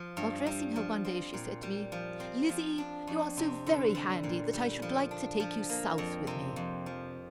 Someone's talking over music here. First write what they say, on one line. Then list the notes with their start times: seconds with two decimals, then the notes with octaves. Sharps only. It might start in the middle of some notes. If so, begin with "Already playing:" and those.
While dressing her one day, she said to me: "Lizzie, you are so very handy that I should like to take you South with me."
Already playing: F3
0.17 G2
0.46 G3
0.76 F3
1.05 C4
1.34 A#2
1.63 G3
1.92 F3
2.20 C4
2.49 F3
2.78 D4
3.07 F2
3.37 C3
3.66 D3
3.95 G3
4.24 A#2
4.53 G3
4.82 F3
5.11 D4
5.40 F3
5.69 A#3
5.98 F2
6.27 C3
6.56 F2
6.86 F3